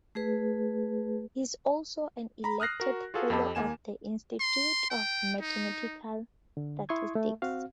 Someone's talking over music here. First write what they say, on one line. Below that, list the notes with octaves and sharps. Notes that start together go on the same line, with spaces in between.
He is also an elected Fellow of the Institute of Mathematical Statistics.
A3 G#4 B4
A#5 B5
D#6 F6 F#6 A#6 C7
F#4 A#4
F4 F#4 G#4 A4 B4 F5
F2 G4 A4 D#5 A5 B5
D#2 A#3 G#5 E7
C6
G5
D#4
D3
E4 C6 C#6 D#6 G#6
A3
C4 F#4 F5